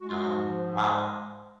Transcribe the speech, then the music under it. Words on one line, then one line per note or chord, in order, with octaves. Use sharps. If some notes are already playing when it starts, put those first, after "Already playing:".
Um, wow.
G#3 F#4
F4
F#4
G#2
F3
G#2
G#3